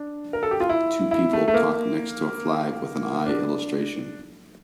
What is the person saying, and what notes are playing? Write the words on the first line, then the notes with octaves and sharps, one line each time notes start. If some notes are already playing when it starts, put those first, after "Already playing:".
Two people talk next to a flag with an eye illustration.
Already playing: D4
A#4
A4
G4
F4
E4
E4
A3
A3
A#3
D4